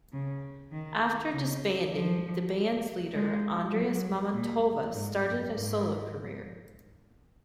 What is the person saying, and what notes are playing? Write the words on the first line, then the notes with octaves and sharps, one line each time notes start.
After disbanding the band's leader Andrius Mamontovas started a solo career.
C#3
D#3
C#3
F3
G#3
F#3
A#2
G#2
F#2
G#2